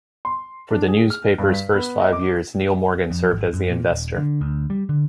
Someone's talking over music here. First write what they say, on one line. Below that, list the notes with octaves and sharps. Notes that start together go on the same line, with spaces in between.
For the newspaper's first five years, Niel Morgan served as the investor.
C6
D4
G#4
F6
G2
B6
B3
D#5
D6
F2
G#1
F#2
A#2
D#1
D3
D2
G3
D3